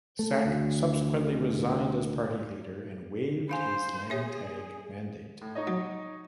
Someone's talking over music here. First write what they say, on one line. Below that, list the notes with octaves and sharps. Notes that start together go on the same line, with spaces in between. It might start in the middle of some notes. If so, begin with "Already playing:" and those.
Sack subsequently resigned as party leader and waived his Landtag mandate.
A3
D2
D4 C5 F5 G#5
G4 G#4 C#5 E5
A2
D#4 C#5 D#5
F#3